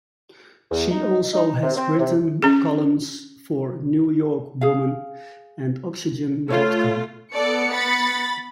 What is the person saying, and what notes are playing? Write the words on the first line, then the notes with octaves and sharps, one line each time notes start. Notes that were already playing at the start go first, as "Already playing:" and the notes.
She also has written columns for "New York Woman" and "oxygen dot com".
E2
D#4
D#4
C3
C4
C3
C#4 G#4
G#4 F5
A3 F4 A4 C#5 F5
B3 A4 D5 C#7
B5 A6